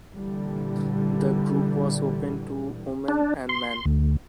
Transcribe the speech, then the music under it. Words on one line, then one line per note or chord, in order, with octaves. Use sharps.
The group was open to women and men.
A#2 D3 E3 G3
D4
C6
D2